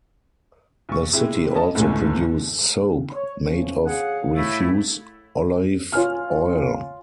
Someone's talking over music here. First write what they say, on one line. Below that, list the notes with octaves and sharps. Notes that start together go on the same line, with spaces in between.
The city also produced soap made of refuse olive oil.
B1 C#6
C3 G#3 E4
C#4 D#5 A5
G1 C#2 A2 D3 G#5
C#5
E3 F3 C#4
D2 G#4 C#5 F5 F#5
A2 A3 E4
F4 C#5 G#5 F6